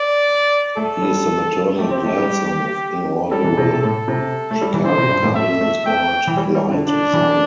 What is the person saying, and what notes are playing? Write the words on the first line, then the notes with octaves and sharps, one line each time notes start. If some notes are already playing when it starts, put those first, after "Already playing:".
He is the maternal grandson of inaugural Chicago Cardinals guard Clyde Zoia.
Already playing: D5
A3 A4
G3
A3 G4
C4
A3
G3
G3 A4
E3
C3
C3
A2 A4
C3
A3
G3
E3
D3 C5
C3
G2
A2
A3 E5
A3
A3 G5
E3
G3
G3
D3
D3 D4
E3